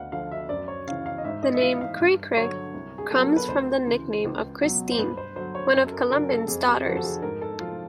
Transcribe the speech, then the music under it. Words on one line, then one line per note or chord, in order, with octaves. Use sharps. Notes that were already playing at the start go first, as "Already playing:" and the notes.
The name "Cri-Cri" comes from the nickname of Christine, one of Colomban's daughters.
Already playing: D2 F5 F#5
D3 F3 F5
E5
F#2 D5
C#5
C#3 E3 F5
F5
D#5
G#2 E5
D#5
E5
E3 F5
F5
G2
D3 F#3 C#5
C2
G#4
B2 F#3 A4
A#4
B4
D2 C5
C#3 E3
C#2
B2 F#3
C5
G2 B4
C5
D3 F#3 C5
C#5
F#2
A4
A#4
C#3 F#3 A#4
A4
F2 G#4
G4
D3 F3 F#4
A4
G#4
G#2 A#4
A4
F3 F4